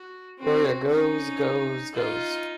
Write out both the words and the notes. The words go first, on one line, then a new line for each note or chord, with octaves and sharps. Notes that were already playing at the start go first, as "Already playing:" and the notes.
Gloria goes, goes, goes.
Already playing: F#4
C4 F#4
C#4 D#4
D#4 F4